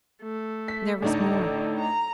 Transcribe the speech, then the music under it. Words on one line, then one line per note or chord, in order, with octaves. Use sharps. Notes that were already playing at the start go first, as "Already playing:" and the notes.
There was more.
A3
B6
A2 D3 D4 D#4
A#5